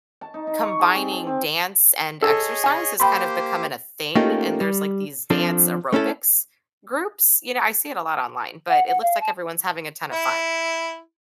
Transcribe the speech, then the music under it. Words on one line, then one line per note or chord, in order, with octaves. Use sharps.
combining dance and exercise is kind of becoming a thing, and there's like these dance aerobics groups, you know, I see it a lot online, but it looks like everyone's having a ton of fun.
A5
D#4
D#4
C#6
G#4
C4
A5
C4
G#4 A4 C#5 D#5
G#5
A#3 G4 C5 G5 B5 C6
A3 A#3 C#4 D#4 F4 G4
G3
F3 C4 D4 A4
A3 C#4 E4 A4
F#5
F#5
F5
A5
E4